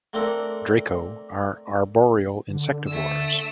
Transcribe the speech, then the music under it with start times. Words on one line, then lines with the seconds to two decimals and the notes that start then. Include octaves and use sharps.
"Draco" are arboreal insectivores.
0.13 A3 A#3 C4 D4 A4 A#4
2.49 D3
2.87 A3 E6